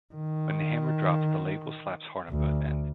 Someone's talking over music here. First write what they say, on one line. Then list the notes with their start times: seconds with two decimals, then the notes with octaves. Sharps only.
When the hammer drops the Lebel slaps hard on both ends.
0.14 D#3
2.30 D2